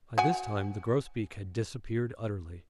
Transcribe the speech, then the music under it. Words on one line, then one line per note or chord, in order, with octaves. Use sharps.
By this time the grosbeak had disappeared utterly.
F#4 F#5 G#5